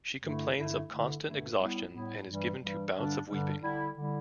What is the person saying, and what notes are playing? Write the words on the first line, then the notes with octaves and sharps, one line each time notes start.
She complains of constant exhaustion and is given to bouts of weeping.
G2 D3 A3 E4
G2 D3 A3 E4
G2 D3 A3 E4
G2 D3 A3 E4
A2 G3 B3 E4
A2 G3 B3 E4
G2 E3 G3
G2 E3 G3
G2 D3 G3 D4
G2 D3 G3 D4
D3 G3 E4
D3 G3 E4